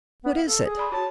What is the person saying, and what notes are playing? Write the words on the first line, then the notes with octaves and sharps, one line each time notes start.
"What is it?"
B3
F5
A4
G#4
D5 B5 C6
F#4 C#5 A5